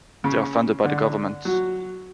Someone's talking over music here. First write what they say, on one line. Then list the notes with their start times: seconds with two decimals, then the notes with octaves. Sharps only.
They are funded by the government.
0.24 C#3
0.85 D3
1.45 F#3